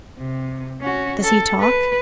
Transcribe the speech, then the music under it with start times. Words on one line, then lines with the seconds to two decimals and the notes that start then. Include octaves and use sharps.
"Does he talk?"
0.19 C3
0.81 C#4 F#4
1.23 A4
1.60 B4